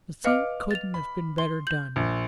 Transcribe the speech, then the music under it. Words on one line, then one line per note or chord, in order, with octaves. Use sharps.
The thing couldn't have been better done.
B4 D#5 F5 D6 F6 C#7
A6 F7
B5
C6 G7
G6 F#7
A#1